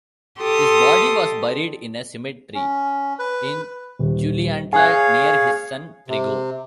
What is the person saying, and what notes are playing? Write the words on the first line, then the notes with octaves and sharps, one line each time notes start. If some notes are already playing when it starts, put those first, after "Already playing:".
His body was buried in a cemetery in Juliantla near his son Trigo.
G4 A4 C6 D#6
C#4
B4
D#1
G#4 C#5 F5 G#5 F#6
C3